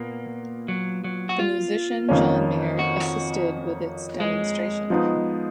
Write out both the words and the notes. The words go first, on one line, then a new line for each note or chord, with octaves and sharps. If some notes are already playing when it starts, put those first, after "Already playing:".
The musician John Mayer assisted with its demonstration.
Already playing: A#2 A#3 B3
F#3
F#3
F#4
F4
F2 D#3 A#3 C#4
F#4
G#3
F3 B3 D#4